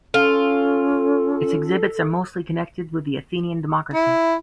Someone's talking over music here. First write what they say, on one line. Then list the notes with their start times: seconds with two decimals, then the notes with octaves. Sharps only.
Its exhibits are mostly connected with the Athenian democracy.
0.14 C#4 F4 A4
3.94 E4